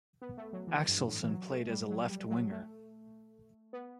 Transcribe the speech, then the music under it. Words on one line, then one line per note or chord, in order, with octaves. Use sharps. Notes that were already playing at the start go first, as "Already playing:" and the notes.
Axelsson played as a left winger.
B3
A3
F#3
E3
G2
A2
E3
F#3
A3
G3
F#3
G3
F#3
A3
B3